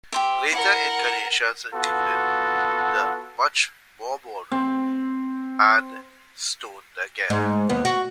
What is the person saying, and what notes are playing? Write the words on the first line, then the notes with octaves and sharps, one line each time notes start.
Later incarnations included the Much More Ballroom, and Stoned Again.
G4 C5 E5
E4 A#4 F#5
B3 F4 F#4 A4
C4
G#2
D#2 B3
F#4